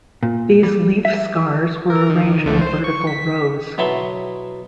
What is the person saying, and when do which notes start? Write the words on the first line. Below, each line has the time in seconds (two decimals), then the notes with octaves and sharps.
These leaf scars were arranged in vertical rows.
0.23 A#2
0.63 G3
1.05 E5
1.90 A#4
2.10 D#3
2.45 C#2 D3 A3
2.61 C5
2.84 C#6
3.07 B6
3.78 B2 F#3 E4 A5 C6 C#6